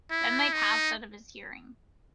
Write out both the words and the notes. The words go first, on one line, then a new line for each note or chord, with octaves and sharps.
Then they passed out of his hearing.
E4
D#4